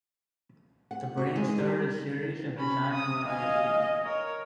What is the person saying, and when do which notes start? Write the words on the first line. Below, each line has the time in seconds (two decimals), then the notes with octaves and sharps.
The brand started a series of design collaborations.
0.91 F#5
1.17 F#4
1.36 G#3
1.58 G3
2.57 C#4 B5
2.93 D#6
3.26 D#5 F5 G#5
4.05 A#4 C#5